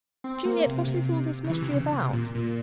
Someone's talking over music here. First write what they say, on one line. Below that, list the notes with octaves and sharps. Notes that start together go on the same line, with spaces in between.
Juliet, what is all this mystery about?
C4
A#3
C3
C3
C#3
E3
C3
C#3
C3
A#2
A#2